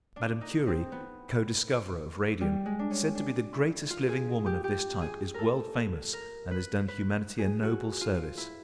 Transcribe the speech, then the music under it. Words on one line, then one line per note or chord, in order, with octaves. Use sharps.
Madame Curie, co-discoverer of radium, said to be the greatest living woman of this type, is world-famous and has done humanity a noble service.
D4
D#4
C4
B3
G3
G#3
D4
C#4
D4
E4
F4
G#4
G4
G4
G#4
A4 A#4
A#4
B4
B4
G#4
F#4
F4
E4